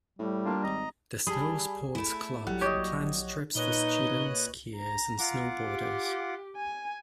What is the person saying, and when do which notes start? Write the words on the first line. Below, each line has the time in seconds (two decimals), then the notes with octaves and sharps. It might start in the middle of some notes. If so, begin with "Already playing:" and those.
The Snowsports Club plans trips for student skiers and snowboarders.
0.19 A2 G3
0.45 A#3 D4 F4
0.63 G#1 D#5 A#5
1.27 G3 G#4 A5 B5
1.95 A3 E4 B5 E7
2.47 A#1 F#3 G3 F#5
2.61 G4 C#5 D#5
3.55 A#2 D#4 B4 C#5 D#5 F#6 G7
4.77 A#5
5.19 F4 F#5 D6
5.63 G4
6.56 G#5